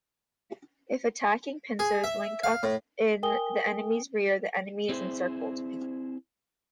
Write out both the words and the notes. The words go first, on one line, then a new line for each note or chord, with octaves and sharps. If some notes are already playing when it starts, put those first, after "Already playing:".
If attacking pincers link up in the enemy's rear, the enemy is encircled.
G#4
E5
F5
A2
A#4 G5 G#5 D#6 G7
C4 E4 G#4 C5